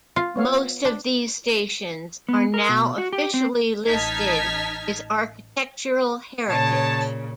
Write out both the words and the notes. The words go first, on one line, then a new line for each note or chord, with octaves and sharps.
Most of these stations are now officially listed as architectural heritage.
F4
B3 C#5 F5
D4
B3
A#4
B2
F#4
G4
C4
A1 D#4 A5 F6 G#6 B6
A#2 C#3 C#5 A5